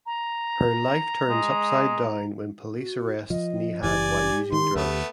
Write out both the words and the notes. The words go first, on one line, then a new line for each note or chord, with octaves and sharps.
Her life turns upside down when police arrests Nihad while using drugs.
A#5
G#3
F#4
F3 D#5
F#1 E3 G4 D5 G#5
D#3 C6
D2 A3 B3